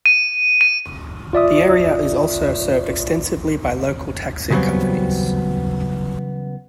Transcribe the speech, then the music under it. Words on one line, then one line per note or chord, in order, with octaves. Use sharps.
The area is also served extensively by local taxi companies.
D#7
D#7
F4 D5 E5 D#6
C#3 E3 F#3 G3 B3 C4